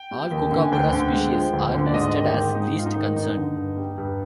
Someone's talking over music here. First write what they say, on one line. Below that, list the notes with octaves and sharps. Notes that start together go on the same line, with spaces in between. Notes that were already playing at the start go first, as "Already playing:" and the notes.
All kookaburra species are listed as Least Concern.
Already playing: G5
G3
D#2
D3
G#5
D2 G5
D3
G#3
F3
D2
D3
D5
G#2 D#5
D#3
G4
G#2
G#3 D#4
G#2 F4
D#4
D#3
G2 D#4
D3
G2
G3
G2